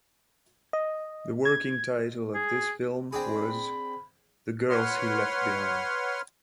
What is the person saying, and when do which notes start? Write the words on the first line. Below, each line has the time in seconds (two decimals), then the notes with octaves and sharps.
The working title of this film was "The Girls He Left Behind".
0.73 D#5
1.45 G#6
2.34 G#4
3.13 C4 D4 G#4 B5
4.70 B4 C#5 F#5 C6 F6